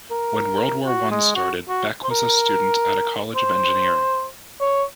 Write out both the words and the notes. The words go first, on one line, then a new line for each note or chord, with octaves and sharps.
When World War One started, Beck was a student at a college of Engineering.
A#4
F#4
G#3
F#4
F#4
C5
A#4
C5
C#5